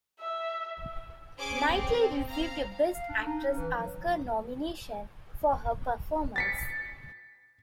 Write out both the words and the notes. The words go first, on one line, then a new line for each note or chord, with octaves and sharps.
Knightley received a Best Actress Oscar nomination for her performance.
E5
C#4 G#4 C5 D6 G#6 D7
C4
F5 A#5
F5
D4
D#4
C#4
E3
F#3
A6 B6 C#7